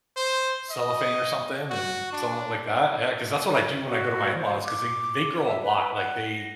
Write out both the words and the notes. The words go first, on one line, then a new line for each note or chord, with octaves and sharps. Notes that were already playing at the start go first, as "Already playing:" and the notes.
cellophane or something and something like that, yeah, cause that's what I do when I go to my in-laws, 'cause they they grow a lot, like, they,
C5
D#5
F#4
D4
F#4
C5
D6
E5
B4
F#5
A#6